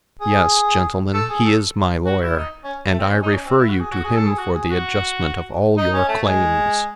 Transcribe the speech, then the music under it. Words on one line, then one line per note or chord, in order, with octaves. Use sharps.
Yes, gentlemen, he is my lawyer, and I refer you to him for the adjustment of all your claims.
G#4
A4
G#4
A4
F#4
E4
D#4
C#4
A3
C4
C#4
D#4
C#4
C4
E4
F#4
G#4
F#4
G#4
A4
G#4
F#4
G#4
F#4
D#4
C#4
A3
G#3